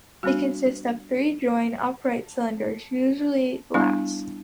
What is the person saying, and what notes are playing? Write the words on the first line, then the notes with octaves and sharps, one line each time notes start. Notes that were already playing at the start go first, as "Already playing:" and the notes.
It consists of three joined upright cylinders, usually glass.
G3 B3 D4 F#4
G3 B3 D4 E4